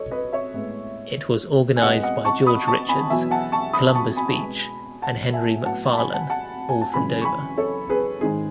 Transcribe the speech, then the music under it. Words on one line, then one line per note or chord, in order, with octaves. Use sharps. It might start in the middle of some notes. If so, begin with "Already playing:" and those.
It was organized by George Richards, Columbus Beach, and Henry McFarlan, all from Dover.
Already playing: F#3 A4 C#5 D#5
B4 D#5
C#5 E5
A2 G#3 B3
G#5
B2 G#3 B3 D#5 F#5
D#5 F#5
A5 C#6
B5 D#6
A5 C#6
G#5 B5
E2 B2 F#3 B3 E5 G#5
F#5 A5
A5 C#6
B5 D#6
A5 C#6
G#5 B5
B2 G#3 B3
F#5 A5
E5 G#5
A2 F#3 B3 F#5 A5
A5
G#5 B5
F#5 A5
F#5 A5
G#5
A5
F#2 C#3 E3 G#3 G#5 B5
C#6
G#5 B5
A4 C#5
G#4 B4
G#2 D#3 G#3 G#4